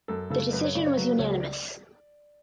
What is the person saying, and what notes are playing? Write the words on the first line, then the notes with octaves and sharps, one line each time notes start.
The decision was unanimous.
F#2 A4
C#3 A4
F#2 B4
C#5
C#3 D5
C#5
F#3 B4
C#2 C#5
D5